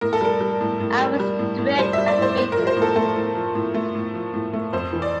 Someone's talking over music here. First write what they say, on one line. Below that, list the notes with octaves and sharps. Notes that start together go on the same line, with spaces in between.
I was stripped and beaten.
A2 A#4
A4
G3 A#4
G3
A2
A2
G3
G3
A2
A2
G3 C5
E5
G3
D5
A2 C5
A2 C5
A#4
F3
C5
A2
A4
A3 A4
A2
F3
A2
A3
A2
F3
A2
A3
F2 C5
E3
D5